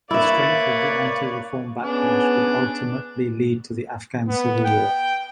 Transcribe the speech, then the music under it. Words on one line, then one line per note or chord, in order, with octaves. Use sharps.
The strength of the anti-reform backlash would ultimately lead to the Afghan civil war.
A#3 E4 B4 C#5 D5 E5
B3 C#4 D4 G#4
B3
G5